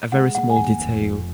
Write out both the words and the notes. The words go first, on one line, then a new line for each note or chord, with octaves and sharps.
A very small detail.
G#3 F#5
A#2 F#5
G#5
D#2 F#5
F1
F1